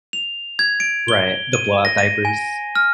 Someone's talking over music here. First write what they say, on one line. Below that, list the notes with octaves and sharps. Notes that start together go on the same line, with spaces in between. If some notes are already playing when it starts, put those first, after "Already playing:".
Right, the blowout diapers.
F7
G#6
D7
G7
D#7
A#6
D#7
G#5
F6